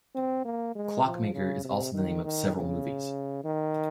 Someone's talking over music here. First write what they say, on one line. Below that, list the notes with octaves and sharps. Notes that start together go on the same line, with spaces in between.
"Clockmaker" is also the name of several movies.
C4
A#3
G#3
F3
C#3
C3
D#3
D#3
C#3
D#3